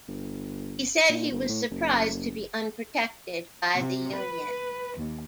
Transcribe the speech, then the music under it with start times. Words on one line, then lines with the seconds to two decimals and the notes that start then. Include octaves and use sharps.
He said he was surprised to be unprotected by the Union.
0.08 G1
1.09 A#2
1.32 G1
1.49 A2
1.71 F#1
3.76 C3
4.13 B4
4.96 D#2